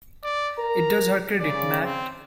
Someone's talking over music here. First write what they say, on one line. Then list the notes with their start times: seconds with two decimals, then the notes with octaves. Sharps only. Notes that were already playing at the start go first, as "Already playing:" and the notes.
It does her credit, Mat!
0.24 D5
0.59 A#4 A#5
1.40 C#3 D5
1.83 C4